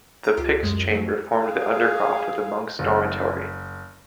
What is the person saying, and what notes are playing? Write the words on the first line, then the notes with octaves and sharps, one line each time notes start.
The Pyx Chamber formed the undercroft of the monks' dormitory.
A#5
C#2 F4 G4 D6
F#2 G#3
F#3 A3
G#4 F5
F#1